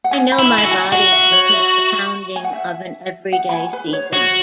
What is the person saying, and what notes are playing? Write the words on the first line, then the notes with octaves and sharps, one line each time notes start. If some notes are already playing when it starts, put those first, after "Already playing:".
I know my body can take the pounding of an everyday season.
F#5
G#5
B5
E4
G#5
E4
F#4
G#5
F#4 F#5
E5
C#5
E5
G#5
F#5
E5
F#5
B5
G#5
B4
C#5
F#4 C#5